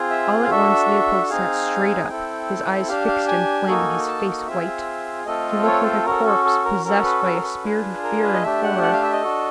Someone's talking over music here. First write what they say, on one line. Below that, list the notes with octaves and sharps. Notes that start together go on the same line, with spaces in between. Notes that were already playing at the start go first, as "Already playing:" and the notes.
All at once Leopold sat straight up, his eyes fixed and flaming, his face white: he looked like a corpse possessed by a spirit of fear and horror.
Already playing: C4 F4 G#4
E5
F5
D4 F#4 A4 E5
C4 D#4 G#4 F5
C4 E4 A4 G5
D4 G4 F5
F5
G#5
A#3 D#4 F#4 A4
A5
C4 F4 G#4 E5
A3 C4 F4 A4 D#5
C#5
C5
C#4 F#4 A4 A#4
A4
A4
A#4
C#4 F#4 A4 A#4
B4
B4
A#4
B4
D4 F4 G#4
A#4
B4
D#5
A3 D4 G4 E5
F#5
F#5
F5
E5
D#5
D4 F#4 A4